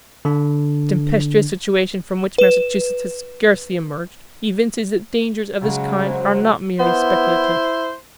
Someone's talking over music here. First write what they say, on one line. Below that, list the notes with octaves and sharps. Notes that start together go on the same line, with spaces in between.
The tempestuous situation from which Massachusetts has scarcely emerged, evinces that dangers of this kind are not merely speculative.
D3 D4
B4 E7
C#3 F#3 G#3 F#4
C5
B3 E4 C5